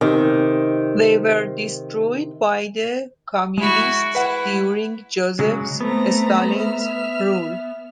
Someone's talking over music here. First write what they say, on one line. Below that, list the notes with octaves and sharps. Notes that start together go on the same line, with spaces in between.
They were destroyed by the Communists during Joseph Stalin's rule.
C3 D#3
G#3 E4 F#4
E4 B4 F#5
C#3 F#3 G#3
A3 B3 C4 A#5
E5 F6